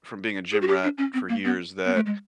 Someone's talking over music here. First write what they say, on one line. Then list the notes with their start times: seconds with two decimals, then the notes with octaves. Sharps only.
from being a gym rat for years- that
0.52 G#4
0.62 F#4
0.68 G4
0.83 D4
0.98 C#4
1.13 C4
1.29 A#3
1.45 B3
1.85 B3
1.95 A3
2.06 G#3